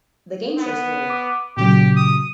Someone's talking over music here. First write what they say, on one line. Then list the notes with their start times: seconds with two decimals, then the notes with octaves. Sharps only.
The Game Show Story.
0.58 B3
1.10 D6
1.57 A#2 C#3 F#3 G4
1.96 D#6